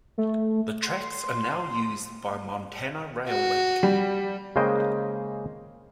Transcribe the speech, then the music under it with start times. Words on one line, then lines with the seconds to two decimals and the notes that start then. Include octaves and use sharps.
The tracks are now used by Montana Rail Link.
0.18 A3
0.82 C6
3.28 F#4
3.83 G3
4.56 C#3 G#3 A#3 C5 D#5 G5